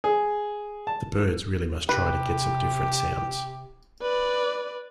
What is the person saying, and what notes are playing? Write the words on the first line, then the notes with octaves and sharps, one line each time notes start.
The Byrds really must try to get some different sounds.
G#4
A5
C3 G4 B4
B4 D5